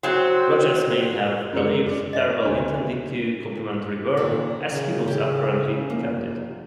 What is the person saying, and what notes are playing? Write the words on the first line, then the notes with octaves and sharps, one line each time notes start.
Rogers may have believed Tarbell intended a complimentary work, as he was apparently candid.
F#3 C4
F#2 G#3 C#7
D5
D#5 E5
D2 D4
A#2 D#3
C#3
C#3 G4
F1 A#3